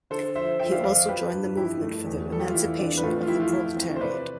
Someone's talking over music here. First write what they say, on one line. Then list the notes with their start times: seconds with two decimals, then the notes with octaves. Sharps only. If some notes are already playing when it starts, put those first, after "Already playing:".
He also joined the Movement for the Emancipation of the Proletariat.
0.10 D3 A4 C5
0.35 F3 C5 E5
0.59 F3 E5 G5
0.72 D5 F5
0.84 F2 D5 F5
1.08 F3 G4 B4
1.33 G2
1.57 F3 E4 G4
1.82 A3
2.06 E2
2.30 G3 A4
2.40 G4
2.47 F4
2.54 E2 E4
2.79 C4 D4
2.98 B4
3.03 A2 F4 A4
3.23 F4
3.28 F3 E4 G4
3.40 F4
3.52 F3 E4
3.76 C4
3.96 C5
4.01 C3 B4 D5